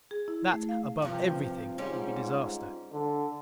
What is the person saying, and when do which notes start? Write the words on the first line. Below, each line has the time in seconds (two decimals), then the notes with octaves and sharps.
That above everything, would be disaster.
0.11 G#4
0.28 E4
0.52 A3
0.69 F5
1.02 G2 C3 F3
1.78 G#2 G3 C#4 F4
2.92 D3